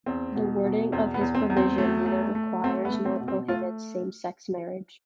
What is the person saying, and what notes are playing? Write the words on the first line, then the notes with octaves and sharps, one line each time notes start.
The wording of this provision neither requires nor prohibits same-sex marriage.
E2 C4
B2
B2
E2 C4
B3
E2
C4
E2
C4
A3
A3
A3
A3 C4
B3
A3
C4
B2
C4
A3 F4